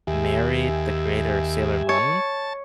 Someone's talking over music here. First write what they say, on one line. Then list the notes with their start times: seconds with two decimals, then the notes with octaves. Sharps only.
married the creator of Sailor Moon.
0.07 D#2 G4 E5 G#5
1.89 C#5 A5